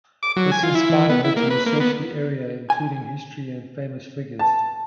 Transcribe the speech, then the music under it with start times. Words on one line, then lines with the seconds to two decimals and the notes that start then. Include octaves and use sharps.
This inspired her to research the area, including history and famous figures.
0.23 D6
0.36 F#3
0.52 G#5
0.63 F4
0.75 E4
0.90 E3
1.09 B3
1.24 E4
1.36 A#3
1.50 B4
1.66 A#3
1.80 B3
2.70 G#5
4.39 A5